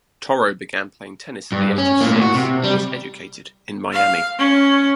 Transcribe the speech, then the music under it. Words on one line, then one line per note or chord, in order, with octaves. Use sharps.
Toro began playing tennis at the age of six and was educated in Miami.
G2
C#4
A2 A#3
F#4
C3
G3
F5
C#4